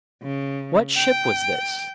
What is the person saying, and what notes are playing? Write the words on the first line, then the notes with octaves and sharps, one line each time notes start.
What ship was this?
C#3
G5